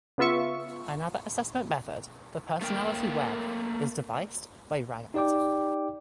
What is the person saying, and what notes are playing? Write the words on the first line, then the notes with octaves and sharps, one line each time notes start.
Another assessment method, the "Personality Web", is deviced by Raggatt.
C#3 B3 F4 E5 C#6
A3 A#3 A#4 G5
D#4 G4 D5 G5 D6